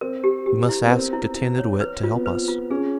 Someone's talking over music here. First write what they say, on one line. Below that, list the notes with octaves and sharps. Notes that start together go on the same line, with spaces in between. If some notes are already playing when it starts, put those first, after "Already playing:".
"We must ask Getanittowit to help us."
C4 A#4
G4
G4
E4
B3
C4 A#4
E4
E4
C#5
B4
F4
B3
C4 B4
F4
C#4 G#4